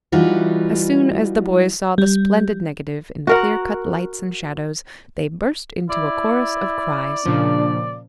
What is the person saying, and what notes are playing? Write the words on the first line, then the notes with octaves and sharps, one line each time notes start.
As soon as the boys saw the splendid negative, in clear-cut lights and shadows, they burst into a chorus of cries.
E3 G3 D#4 F4 F#4
G3
F#4 A#4 F#5
E4 D5
A#2 C#3 F3 D4